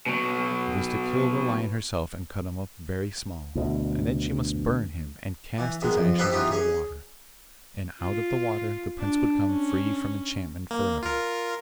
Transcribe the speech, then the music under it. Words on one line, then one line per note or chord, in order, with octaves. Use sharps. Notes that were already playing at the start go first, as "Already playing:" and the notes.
She was to kill the lion herself and cut him up very small; then she must burn him, and cast his ashes into the water, and out of the water the prince would come free from enchantment for ever.
B2 F#3
D2 B2
E3
B2 D#3 G#3
F2
D#4 G4 A4 B4 C5 F5
E3 B3 D#4 F4 G4
C#4 G#4
F4
D4
C#4
A#3
F4 A#4